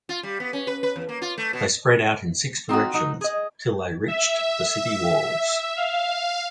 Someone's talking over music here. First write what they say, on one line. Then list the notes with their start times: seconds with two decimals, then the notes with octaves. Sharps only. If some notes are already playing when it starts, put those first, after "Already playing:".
They spread out in six directions till they reached the city walls.
0.09 F4
0.23 G3
0.40 B3
0.53 C#4
0.67 B4
0.83 B4
0.96 E2
1.09 A#3
1.22 F4
1.38 A3
1.53 B2
2.69 C4 D#4 F4 F#4
2.93 F#3 D#4 F#4
3.21 G#4 D#5
4.08 E5
5.77 F5